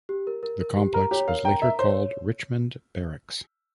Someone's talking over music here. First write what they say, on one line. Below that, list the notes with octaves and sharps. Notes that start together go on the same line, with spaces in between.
The complex was later called Richmond Barracks.
G4
A#4
A#4
A#4
G4
A#4 A#5
G4 C#5
A#4 F5
G5 A#5
A#4 E5
C5 C#5